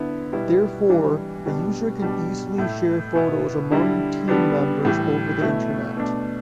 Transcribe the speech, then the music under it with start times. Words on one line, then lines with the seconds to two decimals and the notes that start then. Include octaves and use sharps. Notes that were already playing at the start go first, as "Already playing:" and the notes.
Therefore, a user can easily share photos among team members over the Internet.
Already playing: D3 B3 E4
0.32 B2 G3 B3 E4
0.89 E3 G3 D4
1.45 B2 G3 B3 D4
2.02 B2 G3 D4
2.58 A2 A3 E4
3.15 B2 B3 E4
3.71 D3 G3 E4
4.28 D3 G3 B3 D4
4.85 A2 E3 G3
5.40 B2 A3 E4
5.97 B2 A3 D4